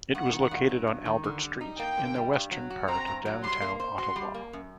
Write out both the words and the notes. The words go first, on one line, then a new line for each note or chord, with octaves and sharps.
It was located on Albert Street in the western part of downtown Ottawa.
G2 F#5
D#3
G2
F#3
G2
D#3
D3
G3
D#4
A#3 G5
D3
G3
G2
F#3
F#4
C4 A#5
G2
F#3
G3 C6
A#3
C5
F#4 C6
G3
A#3
F#2